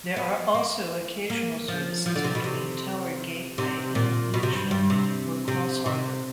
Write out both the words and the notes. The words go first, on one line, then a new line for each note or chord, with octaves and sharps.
There are also occasional services between Tower Gateway and Lewisham or Crossharbour.
B3
A#3
A#3
F3
F3
D3
C3
B2
C3
C3
A#2
B2
C3
G2
G2
C3
C3
C3